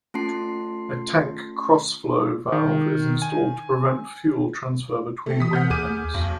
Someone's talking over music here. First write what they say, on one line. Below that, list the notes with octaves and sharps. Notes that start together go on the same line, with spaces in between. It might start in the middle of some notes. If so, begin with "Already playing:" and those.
A tank cross-flow valve is installed to prevent fuel transfer between wing tanks.
A3 C#4 F4 A5 C6 C7
D#3
G#5
A3 G4
E3 D#6 B6
F#5 F6 G6
D#2 G#4 D6 D#7
B1 F2